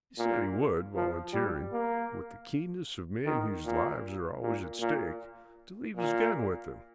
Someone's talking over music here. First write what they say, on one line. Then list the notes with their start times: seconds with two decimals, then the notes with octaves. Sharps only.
He said he would, volunteering, with the keenness of men whose lives are always at stake, to leave his gun with them.
0.19 A#2
0.95 F3
1.33 G3
1.72 A#3
3.26 D#3
3.65 A#2
4.42 A#2
4.80 A#2
5.97 A#2